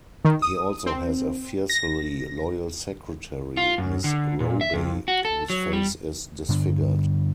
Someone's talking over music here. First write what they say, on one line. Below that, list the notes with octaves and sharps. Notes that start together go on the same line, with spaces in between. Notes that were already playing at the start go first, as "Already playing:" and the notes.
He also has a fiercely loyal secretary, Miss Robey, whose face is disfigured.
D#3
D#6
C4
A#6
F4
F#2
D3
A#2
E5
F2
F#4
A4
F#3
G3
G2 D3 D4